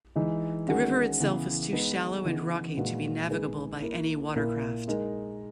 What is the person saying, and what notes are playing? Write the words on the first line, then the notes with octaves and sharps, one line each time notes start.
The river itself is too shallow and rocky to be navigable by any watercraft.
E3 G#3 D#4
D#3 G#3 C#4 F#4 A#4
C#3 E3 B3
G#3 B3 D#4 G#4 B4
C#3 E3 B3 D#4 G#4
A#2 G#3 D#4 F#4 B4
D#3 G#3 D#4 G#4 B4
A#3 E4 A#4
A#2 A#3 E4 A#4
G#3 D#4 A#4